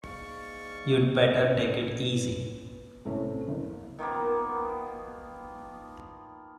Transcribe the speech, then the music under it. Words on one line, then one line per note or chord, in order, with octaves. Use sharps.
You'd better take it easy.
G#2 D5 F5 C#6
B3 C#4
A2 C3 A3 C4 C#4
F#1
D#3 F3 A#3 B3